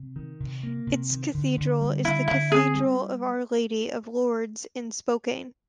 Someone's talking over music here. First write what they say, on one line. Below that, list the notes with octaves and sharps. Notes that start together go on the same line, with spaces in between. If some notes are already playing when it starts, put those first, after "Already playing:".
Its cathedral is the Cathedral of Our Lady of Lourdes in Spokane.
Already playing: C3
D#3
C3
A#3
C3
D#3
D3
D3
G3
D3 E4
D3 E4
C4 G#4
G3